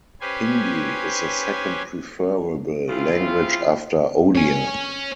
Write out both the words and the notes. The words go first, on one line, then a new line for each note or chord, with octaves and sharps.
Hindi is the second preferable language after Odia.
C#4 G4 B4 C5 G#5
C#3 C4 E4 F4
C#5 G#5